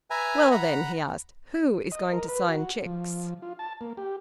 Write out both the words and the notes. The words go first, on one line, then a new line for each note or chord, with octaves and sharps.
"Well then," he asked, "who is going to sign cheques?"
B4 E5 G#5 A#5
F#5 A#5 B5
D#5
A#4
B4
F#4
F3
F4
A5
A#3
G4